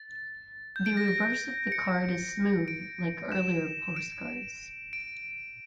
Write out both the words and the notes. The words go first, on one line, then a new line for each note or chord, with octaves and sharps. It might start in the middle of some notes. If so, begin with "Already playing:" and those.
The reverse of the card is smooth, like earlier postcards.
Already playing: A6
G6
D7
A#6
A#6
C#7
D7
E7
D7
D7